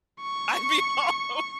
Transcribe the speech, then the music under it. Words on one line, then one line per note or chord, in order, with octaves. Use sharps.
I'd be all over
C#6